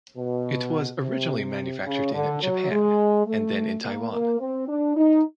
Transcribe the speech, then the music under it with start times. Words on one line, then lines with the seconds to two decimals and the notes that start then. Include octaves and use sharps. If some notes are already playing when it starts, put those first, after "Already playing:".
It was originally manufactured in Japan and then in Taiwan.
0.17 B2
1.01 C3
1.86 C#3
2.14 D3
2.42 F#3
2.71 G#3
3.27 A3
3.84 A#3
4.12 A#3
4.40 C4
4.68 D4
4.96 D#4